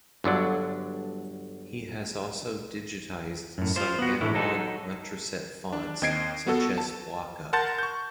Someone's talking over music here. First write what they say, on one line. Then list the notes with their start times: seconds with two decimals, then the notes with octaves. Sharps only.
He has also digitised some analog Letraset fonts such as Block-Up.
0.24 G1 D3 F#3 D4
3.58 F#2 A2
3.76 F4 C5
3.99 B3 F#4
4.21 A2 E3 A3 D4 E4
4.34 F#3 D#4 A4
5.73 D4
6.02 D#2 C4 D#5 G#6 C7 D7
6.47 B3 F#4 A4
6.78 A5
7.53 A#4 F#5 A5 C6 G6 A6
7.78 C#6 G6